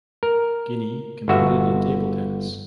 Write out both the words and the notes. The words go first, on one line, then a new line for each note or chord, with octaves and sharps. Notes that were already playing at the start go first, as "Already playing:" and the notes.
Guinea competed in table tennis.
A#4
G1 F#4 E5